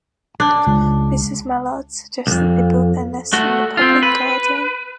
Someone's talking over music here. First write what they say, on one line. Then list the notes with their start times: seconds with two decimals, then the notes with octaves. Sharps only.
Mrs. Mallard suggests that they build their nest in the Public Garden.
0.40 D4
0.67 C#2
2.27 C2 F2
3.33 A3 F#4
3.77 C4 F4
4.03 B4